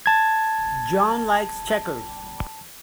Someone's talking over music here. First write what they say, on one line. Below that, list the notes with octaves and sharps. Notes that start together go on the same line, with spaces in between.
John likes checkers.
A5 G#6